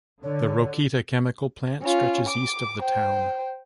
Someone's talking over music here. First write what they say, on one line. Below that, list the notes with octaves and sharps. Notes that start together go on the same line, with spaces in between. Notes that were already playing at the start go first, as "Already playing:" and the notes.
The Rokita Chemical Plant stretches east of the town.
D3 C#5
C#4 F4
D6
C5 G5